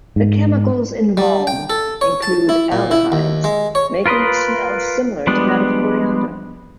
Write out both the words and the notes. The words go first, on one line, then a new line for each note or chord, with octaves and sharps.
The chemicals involved include aldehydes, making the smell similar to that of coriander.
G#2
G3
G5
A4
C#5
A5
E4
A#2
E4
D#2
G#3
C#5
F4 A#4 B4 C6 D#6
F3 G3 G#3 B3 D4